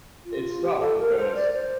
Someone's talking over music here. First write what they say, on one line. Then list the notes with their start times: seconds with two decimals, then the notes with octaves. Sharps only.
it's tough because,
0.25 F4
0.61 G4
0.80 A4
0.99 A#4
1.17 C5
1.35 D5
1.53 C5